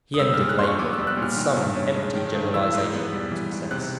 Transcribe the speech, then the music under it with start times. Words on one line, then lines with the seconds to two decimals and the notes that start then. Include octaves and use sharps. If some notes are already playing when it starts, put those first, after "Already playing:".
He ended lamely, with some empty generalisation on success.
0.14 D#6
0.19 G3 E6
0.34 A#2 F6
0.49 F#6
0.58 D4 C6
0.64 C#6
0.79 B3 D6
0.93 E6
0.98 G3
1.07 F#6
1.17 A#2
1.22 F6
1.36 D#3
1.57 G2
1.75 C#4
1.95 G#3
2.15 D#3
2.35 G2
2.54 E3 E6
2.74 G#2
2.93 B3
3.13 G3
3.31 E3
3.52 G#2
3.71 C3 F#6